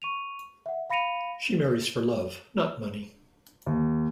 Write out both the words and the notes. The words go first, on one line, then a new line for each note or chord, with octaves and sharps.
She marries for love, not money.
C#6 D#7 F7
E5 F#5
F5 B5 A#6 C#7 D#7 F7
D#2